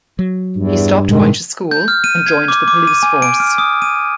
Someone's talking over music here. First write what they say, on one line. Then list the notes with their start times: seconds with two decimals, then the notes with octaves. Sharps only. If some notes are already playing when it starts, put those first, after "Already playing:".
He stopped going to school and joined the police force.
0.19 F#3
0.56 E2 G2
1.08 A2 C3 D#3 G#3
1.71 G6
1.88 F6
2.04 D#7
2.26 G#6
2.48 D6
2.68 D6
2.87 D#7
3.03 G#5
3.22 D7
3.40 F6
3.58 D#6
3.82 D#7